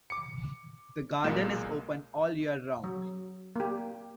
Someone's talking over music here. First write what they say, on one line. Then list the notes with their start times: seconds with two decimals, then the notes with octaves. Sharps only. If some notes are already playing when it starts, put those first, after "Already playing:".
The garden is open all year round.
0.10 D6 C#7
1.24 B1 A#2 G#3 A#3 E7
2.84 F#3
3.56 A#3 G4